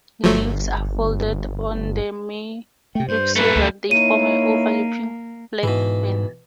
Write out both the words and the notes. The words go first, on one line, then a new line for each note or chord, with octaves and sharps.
Leaves are folded on the midribs so that they form an overlapping flat fan.
G1 F3 F#3 A3
C3 A3 G5
G2 C5
F#2 A3 B4
D2
A#3 D#4 E4 C#5 D#7
G#2 B2 E3